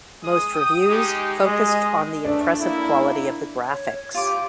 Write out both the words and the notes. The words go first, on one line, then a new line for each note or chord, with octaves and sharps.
Most reviews focused on the impressive quality of the graphics.
G#3 D#6
G5 D#6
G#3 D#4 G4
G#3 D#5
A3 D4
A#3 E4
C#5
F4 G4 D6